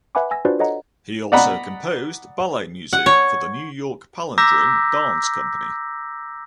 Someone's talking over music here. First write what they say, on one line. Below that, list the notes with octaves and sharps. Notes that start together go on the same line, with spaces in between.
He also composed ballet music for the New York Palindrome Dance Company.
B4 E5 F#5 G#5 B5 D6
G#5 E6 A#6
D4 F4 F#4 B4 C5 D5
A4 C#5 D#5 F#5 A#5
D5 D#5 F#5 A#5 B5
F#5
C#5
A#5 D6 E6 G6 A#6 B6